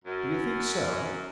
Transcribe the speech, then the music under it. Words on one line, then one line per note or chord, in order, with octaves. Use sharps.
"Do you think so?"
F#2